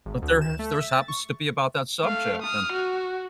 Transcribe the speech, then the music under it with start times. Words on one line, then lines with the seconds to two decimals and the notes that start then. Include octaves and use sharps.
there has theirs happens to be about that subject, and,
0.06 G#1
0.22 D2
0.41 E7
0.59 A3
0.71 E5
0.88 A6
1.08 C#6
2.03 A3 F5
2.43 D#6 F6
2.73 F#4